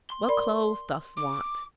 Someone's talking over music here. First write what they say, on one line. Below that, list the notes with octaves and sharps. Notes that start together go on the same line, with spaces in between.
What clothes dost want?
C6
A#4 D5 B5
D6